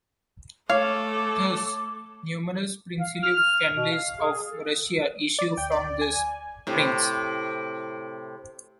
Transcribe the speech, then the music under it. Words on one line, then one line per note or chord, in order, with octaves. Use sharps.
Thus, numerous princely families of Russia issue from this prince.
A3 A4 C#5 F5 D6
F5
F6
B2
F5
G#4
A4
D5
D2 G5
D5
G#5
A2 C3